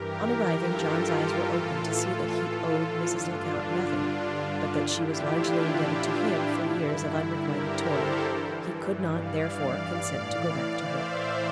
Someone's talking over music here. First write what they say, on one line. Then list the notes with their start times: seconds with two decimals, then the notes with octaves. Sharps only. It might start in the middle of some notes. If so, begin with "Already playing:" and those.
On arriving John's eyes were opened to see that he owed Mrs. Le Count nothing, but that she was largely indebted to him for years of unrequited toil; he could not, therefore, consent to go back to her.
Already playing: G2 E3 G4 A#4
0.55 F4 A4
1.40 A2 E3
3.10 G2 D3 D4 F4
4.81 A2 E3 E4 G4
5.09 D4 F4
5.66 D4
6.51 G2 D3 E4
7.36 G4 A#4
7.64 A4 C5
7.93 A#4 D5
8.21 G2 E3
9.06 D5 F5
9.91 A2 E3 D5 F5
10.76 C5 E5